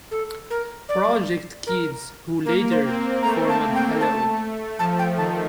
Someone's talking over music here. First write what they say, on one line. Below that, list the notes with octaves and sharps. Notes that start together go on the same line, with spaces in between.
Project Kids, who later formed Hello!
A4
A#4
D5
A#4
A#3 A#4
C5
C4
A3 A#5
A5
G5
A5
F3 A5
G5
D#3 A5